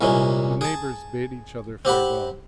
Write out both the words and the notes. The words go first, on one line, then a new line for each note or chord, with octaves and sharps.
The neighbours bade each other farewell.
C2 A#2 G#3 C#4
G#4 A5
C4 G4 F#5 B5